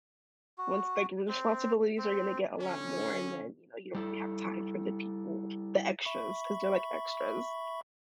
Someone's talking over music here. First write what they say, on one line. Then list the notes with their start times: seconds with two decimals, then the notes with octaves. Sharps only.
Once the, like, re responsibilities are gonna get a lot more and then, you know, you don't really have time for the people, the extras, 'cause they're like extras.
0.58 F#4
1.28 C4
1.98 C4
2.59 D3 C#4
3.95 G3 E4 A4
6.05 E5 B5 C#6